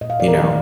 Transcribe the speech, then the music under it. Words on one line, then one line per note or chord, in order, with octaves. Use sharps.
you know,
A#2 D#5
F5
A3 D5
A#4
A#2